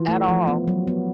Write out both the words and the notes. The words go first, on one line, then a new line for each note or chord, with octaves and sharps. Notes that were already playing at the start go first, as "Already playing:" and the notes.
At all.
Already playing: E3 F4
A3
F3
B3
F#3
B3